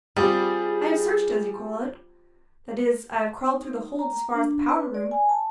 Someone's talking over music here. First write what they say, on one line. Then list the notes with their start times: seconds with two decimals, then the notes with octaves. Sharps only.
"I have searched, as you call it--that is, I have crawled through the hold as far as the powder-room."
0.17 G3 C4 F4 G4 G#4
3.53 D#4
3.99 A#5
4.34 D4
4.69 B4
4.94 D5
5.11 G#5
5.29 A5